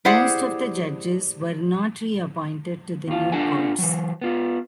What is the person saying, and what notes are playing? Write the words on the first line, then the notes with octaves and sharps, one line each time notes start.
Most of the judges were not reappointed to the new courts.
E4 G4 G#4 C5 D5 F#5
D#2 F4
D4 F4 A4 F#5 G#5
E3 F#3
B3 F4